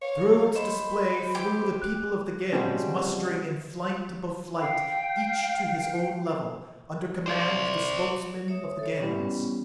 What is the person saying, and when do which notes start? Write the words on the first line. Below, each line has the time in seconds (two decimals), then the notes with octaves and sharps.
Through its display flew the people of the Gens, mustering in flight above flight, each to his own level, under command of the Spokesmen of the Gens.
0.02 C#5 F5
0.56 C5 D#5 B5 E7
1.35 G4
1.82 F#6
2.53 C#3 F3 G3 G#3 C4 F#4
4.57 F5 G5
7.26 C5 D5
8.48 C#5 E5 D#6
8.79 A4 C#5
9.00 E3 G3 B3 C#4